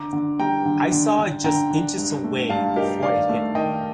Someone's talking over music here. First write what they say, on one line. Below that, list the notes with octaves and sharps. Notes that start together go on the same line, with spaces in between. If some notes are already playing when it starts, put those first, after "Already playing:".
I saw it just inches away before it hit me.
Already playing: D3 A#5 D6
D3
G3 G5 A#5
D3
D3
D3
D3 G5 A#5
D4
G2
A3
G2 F5 A5
D#4 G4 A#4
D#3 D5 F5
A3
D#3 D#5 G5